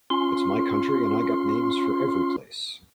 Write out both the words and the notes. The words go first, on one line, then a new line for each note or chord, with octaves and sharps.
It's my country and I got names for every place.
C#4 F4 C6